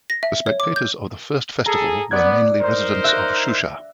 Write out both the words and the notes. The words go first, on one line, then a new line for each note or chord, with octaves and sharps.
The spectators of the first festival were mainly residents of Shusha.
A#6
E5
C#5
D6
G6
G#4 A4 A#5
B3 D5 F#6 G#6
D#4 A#4 C5
E5 F#6 A#6